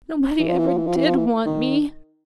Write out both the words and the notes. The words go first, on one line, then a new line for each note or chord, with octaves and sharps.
Nobody ever did want me.
E3
F3
E3
F3
E3
F3
E3
F3
E3
D#3